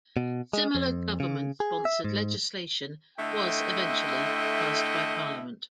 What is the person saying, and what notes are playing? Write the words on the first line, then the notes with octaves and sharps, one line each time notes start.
Similar government sponsored legislation was eventually passed by Parliament.
B2
G#3
F2
C#3
G#4
E5
G#2
D3 A3 E4 D#5 G5